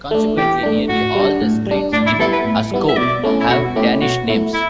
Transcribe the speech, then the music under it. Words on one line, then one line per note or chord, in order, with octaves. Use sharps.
Consequently, nearly all the streets in Askov have Danish names.
A3 D4
E3 G4
A3 D4
A2 F#4
G3 D4
A2
G3 D4
A2 D4
E4
G3 B3 E4 A4
B4
A2
G3 B3 E4
E5
B2 D5
A3 C#4 E4
E4
B2 F#4
A3 C#4 E4 G4
B2 F#4
A3 E4
E4